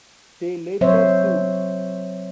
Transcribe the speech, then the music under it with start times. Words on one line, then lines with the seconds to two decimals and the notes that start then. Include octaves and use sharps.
They later sued.
0.81 F#3 C4 C5 C#5 E5